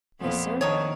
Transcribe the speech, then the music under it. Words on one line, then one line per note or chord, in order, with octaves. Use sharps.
"Yes, sir."
F2 A#2 B3
D#3 D4 D#4 C#5